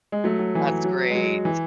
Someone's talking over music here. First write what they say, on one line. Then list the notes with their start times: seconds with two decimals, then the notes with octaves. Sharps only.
That's great.
0.12 G#3
0.24 F#3 A3
0.39 F#3
0.55 E3
0.70 F#3
0.84 F#3
1.10 G#3
1.15 F#3
1.45 E3